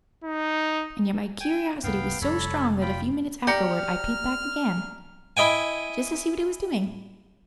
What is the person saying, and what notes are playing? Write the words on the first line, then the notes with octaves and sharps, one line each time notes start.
And yet my curiosity was so strong that a few minutes afterward I peeped back again, just to see what he was doing.
D#4
G5 G#5
C2 F#2 B3 F5 G5
F1 F2 G3 A4 C#5 B5
F4 G5 B5
G4 D5 G5 A#5 F6 A#6 C#7
E4 D#5 G5 G#5